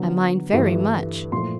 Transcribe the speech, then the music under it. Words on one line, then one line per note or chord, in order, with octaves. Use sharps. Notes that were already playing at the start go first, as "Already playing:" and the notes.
I mind very much.
Already playing: D3 F#3 B3
G2 E3 A3
A#2 F3 A3 C6